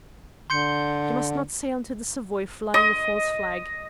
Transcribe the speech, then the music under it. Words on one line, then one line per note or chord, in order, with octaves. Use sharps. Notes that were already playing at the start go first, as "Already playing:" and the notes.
You must not sail into the Savoy flying a false flag.
D3 C6 G6 C#7
D#5